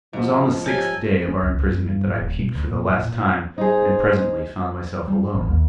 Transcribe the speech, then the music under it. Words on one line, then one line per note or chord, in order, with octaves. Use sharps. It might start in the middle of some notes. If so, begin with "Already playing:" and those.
It was on the sixth day of our imprisonment that I peeped for the last time, and presently found myself alone.
G#2 F3
G4 A4 A#4 C#5 G#5
C#4
C#2
C#2
F#2
G2
A2
D#1
B2
D2
A#2
A2
A#2
D#4 G#4 C5
G3
A1
D#2